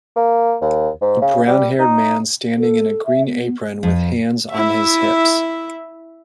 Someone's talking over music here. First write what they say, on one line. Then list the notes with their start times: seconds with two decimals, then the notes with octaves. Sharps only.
A brownhaired man standing in a green apron with hands on his hips.
0.16 A#3
0.61 D#2
1.01 G#2
1.21 C#3
1.47 G3
1.79 D#4
2.59 A4
3.06 E5
3.27 B3
3.83 F2
4.51 E4 E5